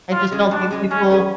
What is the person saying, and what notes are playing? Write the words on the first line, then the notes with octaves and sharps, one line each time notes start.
I just don't think people
A2 F4
G#3 C#4 G#4
A2 D4
G#3 C#4 G#4
G#3 C#4
C#4 G#4 B4